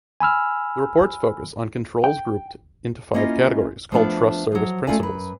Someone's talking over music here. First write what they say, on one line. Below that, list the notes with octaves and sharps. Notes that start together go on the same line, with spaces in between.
The reports focus on controls grouped into five categories called "Trust Service Principles".
G#5 B5 E6 F6
G5
A#3 C#4 E4 F4 D#5
F3 A3 B3 D4 F4
F3 F#3
A3 C#4 D#4 F4 D5 G#5
F#2 B4